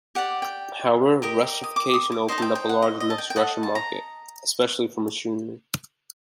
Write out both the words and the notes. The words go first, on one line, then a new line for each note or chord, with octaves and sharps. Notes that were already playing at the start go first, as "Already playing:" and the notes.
However, Russification opened up a large Russian market especially for machinery.
G4 D5 F#5
G5
G4 A#4 D#5
D#6
D6
D#6
D6
D#4 F#4 C5 D#5
A5
G5
G5
F#5
D#5
D#5
A5
G5
G5
A4 D#5 F#5
A5
A#5